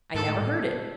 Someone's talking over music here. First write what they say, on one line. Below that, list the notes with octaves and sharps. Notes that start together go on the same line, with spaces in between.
"I never heard it."
G#2 A4
A2